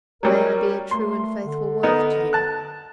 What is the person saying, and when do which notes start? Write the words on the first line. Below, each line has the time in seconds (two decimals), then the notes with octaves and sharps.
"May I be a true and faithful wife to you."
0.23 F#3 G3 C#4 A#4
0.91 A3 C6
1.45 D3
1.83 B3 D#4 A#4
2.33 A5 F#6